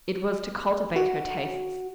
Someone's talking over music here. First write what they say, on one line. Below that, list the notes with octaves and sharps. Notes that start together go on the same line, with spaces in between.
It was to cultivate her tastes.
F#4